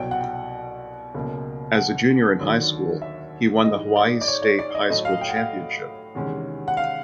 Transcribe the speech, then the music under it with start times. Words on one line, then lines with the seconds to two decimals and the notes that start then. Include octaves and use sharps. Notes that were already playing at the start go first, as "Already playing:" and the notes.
As a junior in high school, he won the Hawaii State High School Championship.
Already playing: C2 B2 F#3 G5
0.11 F#5
0.21 G5
1.15 C#2 B2 F#3 A#3
1.77 F#5
2.40 D#2 D3 F#3
3.02 E5
3.64 G#2 E3 G3 D#5
3.96 D5
4.21 D5
4.28 C#5
4.42 C#5
4.59 D5
4.75 D#5
4.89 A2 F#3 A3 D#5
5.05 F5
5.21 G5
5.29 F#5
5.36 F5
6.15 E2 C3 D#3 G#3 C#4
6.68 F#5
6.77 F5